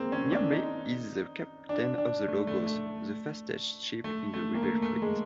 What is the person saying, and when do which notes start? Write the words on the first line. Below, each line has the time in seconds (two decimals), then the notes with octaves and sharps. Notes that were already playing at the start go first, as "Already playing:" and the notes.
Niobe is the Captain of the "Logos", the fastest ship in the rebel fleet.
Already playing: G#3 A#3 C4
0.12 C#4
0.32 D4
0.52 D#4
1.69 D4
1.98 D4
2.28 A3
2.47 A3
2.66 A3
4.04 A3
4.33 A3
4.55 A#3
4.63 A3
4.82 A3
5.02 G#3